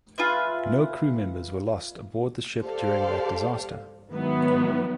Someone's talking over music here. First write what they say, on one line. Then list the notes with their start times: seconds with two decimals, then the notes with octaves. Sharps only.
No crew members were lost aboard the ship during that disaster.
0.18 F4 G#4 B4 E5
2.65 G4 A4 C5 D5 F5
4.11 G#2 D#3 F#3 B3 E4